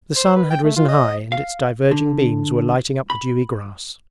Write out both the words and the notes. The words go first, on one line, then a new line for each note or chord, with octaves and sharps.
The sun had risen high and its diverging beams were lighting up the dewy grass.
C5
B4
G5
A3
F4
D#5
F5
D3
B5